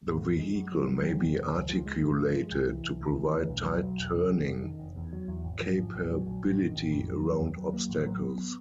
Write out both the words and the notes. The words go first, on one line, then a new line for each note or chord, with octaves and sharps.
The vehicle may be articulated to provide tight turning capability around obstacles.
A1
E3
G#3
F#2
F#3
F#2
E1
D#3
E1
C#2
F3
G#3
G2
F3
G#3
C2
E3
C2
D2
E3
D2
B1
F#3
B1
E1
C#3
E1
F1
D#3
F1
E2
F#3
E2
G#1
F3
G#1
A#1
F#3
A#1
A1
D#3
A1
F2
F#3
F2
D#2
F#3
A#3
A1
F#3
B3